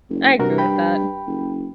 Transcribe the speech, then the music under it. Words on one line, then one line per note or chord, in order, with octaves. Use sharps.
I agree with that.
F#1
G2 C3 F#4 A#4
G5 B5
F#1